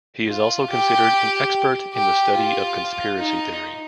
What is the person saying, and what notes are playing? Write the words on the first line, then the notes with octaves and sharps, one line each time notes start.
He is considered an expert in the study of conspiracy theory.
F4
G4
G4
F4
D#4